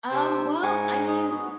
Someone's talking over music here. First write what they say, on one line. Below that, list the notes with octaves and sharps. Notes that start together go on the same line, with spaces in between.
Um, well, I mean,
C3 C5 E6
G#2 G#5 C#6
G#4
B3 F#4 G#4